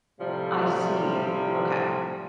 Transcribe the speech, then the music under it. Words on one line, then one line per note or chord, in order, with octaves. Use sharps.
I see, okay.
A2 C3 F3 G3